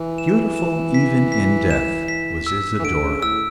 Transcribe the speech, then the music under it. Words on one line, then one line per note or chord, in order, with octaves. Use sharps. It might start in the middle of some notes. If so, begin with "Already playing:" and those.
Beautiful, even in death, was Isidora.
Already playing: E3
E7
E7
B6
B6
E7
B6
E6
E3
D3 D7
C#3
A2 E6